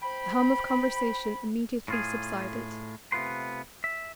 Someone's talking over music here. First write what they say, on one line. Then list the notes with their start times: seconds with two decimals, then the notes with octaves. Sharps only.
The hum of conversation immediately subsided.
0.02 C5 G5 B5
1.88 A2 F4 G#4
3.12 C3 A3 B3 F4 B4 C6
3.84 E5